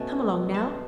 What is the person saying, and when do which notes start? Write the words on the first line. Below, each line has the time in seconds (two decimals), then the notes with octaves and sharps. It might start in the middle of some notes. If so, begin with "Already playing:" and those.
Come along, now.
Already playing: B2 A3 C#4 A5
0.54 A5